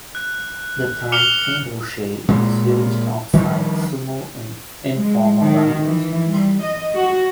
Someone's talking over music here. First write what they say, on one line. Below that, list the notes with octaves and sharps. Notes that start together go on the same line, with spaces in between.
The term "kinboshi" is used outside sumo in informal language.
F#6
D6 F6 C#7 F7 G7
A#2 G#3
D#3 F3 G3
G#3
D#3
E3
G3
D#5
F#4